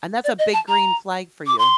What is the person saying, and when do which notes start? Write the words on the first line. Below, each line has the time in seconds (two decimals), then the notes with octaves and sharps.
And that's a big green flag for you.
0.24 D5
0.39 D#5
0.53 A5
0.68 A#5
1.47 D6
1.58 C6